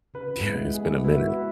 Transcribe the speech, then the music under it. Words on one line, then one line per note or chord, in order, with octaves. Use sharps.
Yeah, it's been a minute.
C#3 B4
G#3 B3 E4
B3 G#4
E4 F#4 B4 E5
B3 F#4